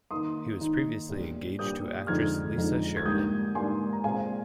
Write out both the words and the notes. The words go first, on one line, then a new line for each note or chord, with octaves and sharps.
He was previously engaged to actress Lisa Sheridan.
D#3 A#3 D#4 C6 D#6
D#3 A#3 D#4
A#2 G3 D4
A#2 G3 D4 D#6 G6
F2 D3 F3 G#3 D#4 F6 G#6
F2 D3 F3 G#3 D#4
G#6
G#2 G3 A#3 D4 D#6 G6
G#2 G3 A#3 D4 G#5 C6
A#5
A#2 G#3 C4 F5 G#5